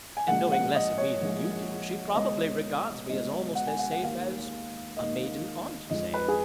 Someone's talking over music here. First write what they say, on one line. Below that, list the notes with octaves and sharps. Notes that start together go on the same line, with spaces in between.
And knowing less of me than you do, she probably regards me as almost as safe as--a maiden aunt say.
G#5
A#1 A#2 G#3 F#5
F#5
D#5
C#5
A#1 A#2 G#3
C#2 B2 G#3 D#5
C#2 B2 G#3 D#5
F#5
G#5
F#5
F#5
D#2 D#3 G#3 F5
D#2 D#3 G#3 D#5
F2 F3 G#3 D#5
B4
G#4